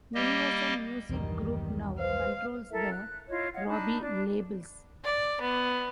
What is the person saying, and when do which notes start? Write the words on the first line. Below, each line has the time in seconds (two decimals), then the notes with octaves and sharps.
Universal Music Group now controls the Robey labels.
0.15 G3 A#3 G4 D#5
1.09 B1 E2 G2 B2 D#3 G3
1.99 G#3 B4 C5 F5
2.71 E4 A4 A#4 E5
2.91 F#6
3.28 E4 F4 C#5 D#5
3.54 C#5 D#5 F5 F#5
3.68 D4 D#4 A5 B5
4.01 D4 D5
5.05 D5
5.41 B3